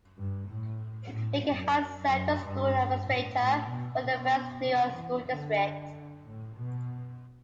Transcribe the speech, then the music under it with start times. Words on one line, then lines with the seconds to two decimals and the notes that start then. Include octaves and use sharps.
Vega has served a school administrator for the West New York School District.
0.17 G2
0.49 A2
1.12 A2
1.45 F#2
2.08 F#2
2.41 G2
3.05 A2
3.38 A2
3.69 B2
4.01 B2
4.65 C3
4.98 E3
5.29 D3
6.25 A2
6.56 B2